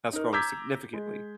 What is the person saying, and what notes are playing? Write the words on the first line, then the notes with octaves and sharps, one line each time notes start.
has grown significantly.
D#4 A#4
A#5 D6 E6 G6 G#6 B6
G#3